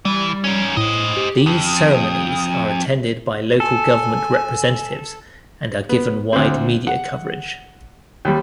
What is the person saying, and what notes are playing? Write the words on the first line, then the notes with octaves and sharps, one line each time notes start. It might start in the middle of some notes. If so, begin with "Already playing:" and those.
These ceremonies are attended by local government representatives and are given wide media coverage.
E3 G3
G#2 C#4
A2 C5 D#5
G4
F2 D#6
A4 G#5
B3
D2 C4
F#5
D#2 G3